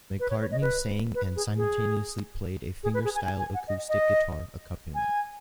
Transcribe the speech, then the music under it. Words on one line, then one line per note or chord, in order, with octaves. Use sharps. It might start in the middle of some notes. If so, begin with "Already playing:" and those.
McCartney sang and simultaneously played a fingerstyle acoustic guitar accompaniment.
B4
C#5
C#5
D#5
B4
B4
G#4
G#4
G#4
B4
G#4
G#5
G#5
G#5
F#5
D#5
D#5
G#5